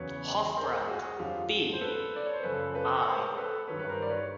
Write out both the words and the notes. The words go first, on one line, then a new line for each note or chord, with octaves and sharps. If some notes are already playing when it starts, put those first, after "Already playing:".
Hoffbrand, B. I.
Already playing: E2 C#3 F#3 B4 C#5
A#4 C5
F#4 G#4
F2 D3 F#3 F4 G4
C5
A4 B4
D5
C#5
C5
F#2 C#3 F3 A4 B4
A4 B4
C#5
A#4 C5
A4 B4
G2 D#3 F#3 B4 C#5
B4
A#4 C5
D5
B4 C#5